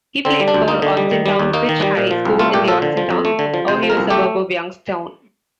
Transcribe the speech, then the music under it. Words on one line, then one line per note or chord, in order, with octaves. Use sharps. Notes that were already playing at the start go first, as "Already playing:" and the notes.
He played for Austintown Fitch High School in the Austintown, Ohio suburb of Youngstown.
D3 C4
G3
D4
D2
A#3 D#4
D3
G3
D#3
G3
D#2
A#3 D#4
D#3
G3
A#2
F3
C2
A3 F4
A#2 G4
F3 A4
D3
F3
F2
A3
D3
F3
C3 C5
F3
A#4
C2
A3 G4